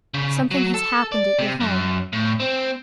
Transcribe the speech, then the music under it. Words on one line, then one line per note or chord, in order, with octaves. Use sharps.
Something has happened at your home.
C#3
F#3
A4
D5
C3
F#2
A2
C4